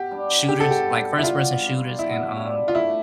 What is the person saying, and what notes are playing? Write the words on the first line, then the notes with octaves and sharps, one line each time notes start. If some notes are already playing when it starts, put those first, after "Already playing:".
shooters like, first-person shooters and, um
Already playing: B2 G4
G3 D4
B2 G4
A4
G4
G3 D4
E4
B2 F4
G3 D4
B2 E4
G3 D4
F4
A3 E4